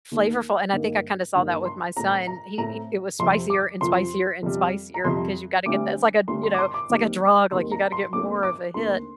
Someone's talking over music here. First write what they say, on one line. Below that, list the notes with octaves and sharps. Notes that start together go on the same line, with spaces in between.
flavorful and I think I kinda saw that with my son, he he it was spicier and spicier and spicier because you gotta get that it's like a, you know, it's like a drug, like you gotta get more of a hit,
D#2 D#3 A#3
G2 D#3 A#3
G2 D#3 A#3
C6
A2 A3 C4 A#5
A#5
A2 A3 C4 A#5
F2 C3 F3 C4 C6
D6
F2 C3 F3 C4 C6
F2 C3 G3
A#5
F2 C3 G3 C6
D2 D3 G3 C4 D6
D2 D3 G3 C4 C6
C6
D6
C6
D6
D#2 D#3 G3 C4
D#2 D#3 G3 C4 C6
A#5
C6
D#2 D3 A3 C4 D6
D6
D#2 D3 A3 C4 C6